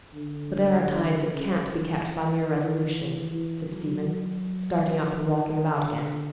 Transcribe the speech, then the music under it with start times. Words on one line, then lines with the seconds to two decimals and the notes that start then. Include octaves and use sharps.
"But there are ties that can't be kept by mere resolution," said Stephen, starting up and walking about again.
0.15 D3
1.33 C#3
1.73 E3
3.31 E3
3.71 F#3
4.89 F3
5.28 D#3
5.68 D3